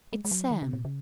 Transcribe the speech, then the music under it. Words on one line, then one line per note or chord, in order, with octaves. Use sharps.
It's Sam.
G#3
G#3
F#3
D#3
C#3
A#2
C#3